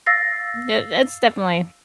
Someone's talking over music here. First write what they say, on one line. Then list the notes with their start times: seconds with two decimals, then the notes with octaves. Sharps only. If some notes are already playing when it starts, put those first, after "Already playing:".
that that's definitely
0.06 F5 E6 A6 A#6 C7